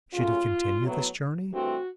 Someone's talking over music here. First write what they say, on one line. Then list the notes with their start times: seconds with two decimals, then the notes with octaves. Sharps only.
Should he continue this journey?
0.14 C#3 F#3 A3 C#4 F4
0.83 A2 F#3 B3
1.51 G2 E3 A3 C4 F#4